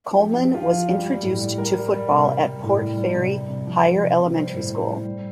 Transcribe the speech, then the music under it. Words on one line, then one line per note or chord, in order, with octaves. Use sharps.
Coleman was introduced to football at Port Fairy Higher Elementary School.
F3 G4
F3
G4
F3 F4
F3
G3 G4
G3
A2
G3
G3 A#4
G3
G3
C3
G3
G3
A2
G3
G3
C3
G3
C3
F3
F3
C3
C3
G3 C5
A2
G3
G3
G3